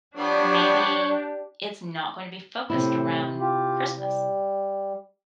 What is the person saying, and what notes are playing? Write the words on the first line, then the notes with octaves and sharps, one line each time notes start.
Maybe it's not gonna be focused around Christmas.
F3 G3 B3 D4 G4 C#5
A2 C3 E4
F4 G4
G3